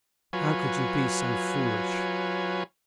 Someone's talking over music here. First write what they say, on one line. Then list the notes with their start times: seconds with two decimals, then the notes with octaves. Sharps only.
"How could you be so foolish?"
0.33 F#3 F4 B4 C#5 G#5